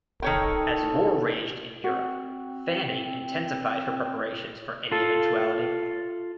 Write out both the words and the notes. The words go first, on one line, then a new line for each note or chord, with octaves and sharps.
As war raged in Europe, "Fanning" intensified her preparations for any eventuality.
D#3 A4 C#5 G5
C4 F#4
F4 A4